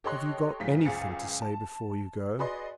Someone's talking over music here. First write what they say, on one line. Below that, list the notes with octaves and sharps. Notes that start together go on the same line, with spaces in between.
"Have you got anything to say before you go?"
G4 A4 C#5 D#5 C6 F#6
F#1 G#2 F3 F4 B6
F#1 C#2 G#4 F5 A6 C#7
A5
F#4 G#4 B4 D5 D#5 C6